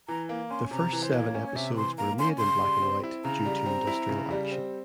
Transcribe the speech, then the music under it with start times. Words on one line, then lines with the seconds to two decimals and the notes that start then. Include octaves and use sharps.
The first seven episodes were made in black-and-white due to industrial action.
0.08 E3 A#5
0.29 A#3
0.50 C#4 C6
0.71 C3 A#5
0.93 E3
1.03 C5
1.14 A#3 C#5
1.35 C#4
1.46 C#5
1.56 C3 E5
1.76 E3 C6
1.98 A#3 A#5
2.19 C#4 C6
2.38 C#3 C6
2.61 G3
2.82 C4
3.03 E4
3.24 C#3 A#5
3.45 G3
3.66 C4
3.87 E4
4.09 C#3
4.31 G3
4.51 C4